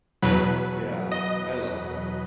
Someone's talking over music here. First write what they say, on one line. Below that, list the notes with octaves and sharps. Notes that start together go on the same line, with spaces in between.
Yeah, I love it.
E2 B2 F#3 B4
D#5